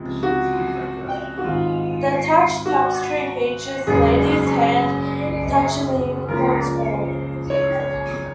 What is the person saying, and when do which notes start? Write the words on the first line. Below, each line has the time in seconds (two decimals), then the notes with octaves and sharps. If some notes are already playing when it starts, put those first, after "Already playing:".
The "Touch" tapestry features the lady's hand touching the unicorn's horn.
Already playing: C#2 C3 F3
0.23 F#4
1.38 F#4
1.44 G#1 G#2 D#3 F4
2.66 F#4
3.87 F#1 F#2 C#3 G#3 G#4
6.28 C#2 C#3 F3 A#3 A#4
7.50 C#5
7.80 C#5